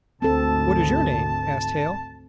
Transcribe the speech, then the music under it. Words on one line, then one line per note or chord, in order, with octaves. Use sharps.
"What is your name?" asked Hale.
G#1 D2 C4 A4 A5